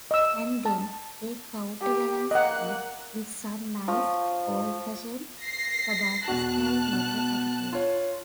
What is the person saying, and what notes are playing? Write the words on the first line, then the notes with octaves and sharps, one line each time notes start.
And then they counterbalance it with some nice, old-fashioned, Sabbath-style metal attitude.
D#5 E6
A5
G4
A#3 D#5 F#5 F#6
F3 C5 C#6
A#6 C7
E2 B2 F#4 A5 F#6
B2
F4 C#5